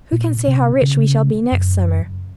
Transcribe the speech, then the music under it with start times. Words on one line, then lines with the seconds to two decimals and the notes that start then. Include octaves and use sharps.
Who can say how rich we shall be next summer?
0.12 A#2
0.48 C3
0.82 C#3
1.52 F#2